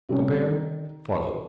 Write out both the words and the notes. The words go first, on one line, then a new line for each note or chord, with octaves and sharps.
Compare FOLLOW.
C3 G3 C#4
D#3